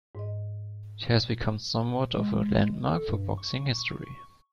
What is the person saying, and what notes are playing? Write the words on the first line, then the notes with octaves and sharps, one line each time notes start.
It has become somewhat of a landmark for boxing history.
G#2 D#5
G#3
A4
G2
C#6